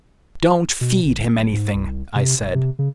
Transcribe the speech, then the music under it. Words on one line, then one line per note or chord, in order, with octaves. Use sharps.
"Don't feed him anything," I said.
B2
G1
D1
G#2
C2
C3
E1
C3
C#3